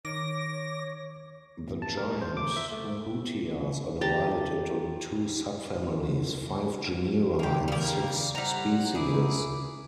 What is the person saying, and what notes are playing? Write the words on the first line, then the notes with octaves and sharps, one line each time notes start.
The giant hutias are divided into two subfamilies, five genera, and six species.
D#3 C#5 D6 A#6
A2
A5
A#4
D#4
C5
D6
E5
A3
G#2
G4 A5 A#5
C#3 A#3 G4
G3 A#3
G3 E4 C5 F#5 A#5
G#4 E5 B5 D6